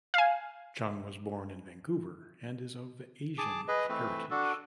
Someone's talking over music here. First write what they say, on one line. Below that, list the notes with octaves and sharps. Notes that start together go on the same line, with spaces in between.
Chung was born in Vancouver and is of Asian heritage.
F5 G#5
G#4 A5 D6
G#4 B4 D#5
E3 A3 C4 B4
D4 F#4 A4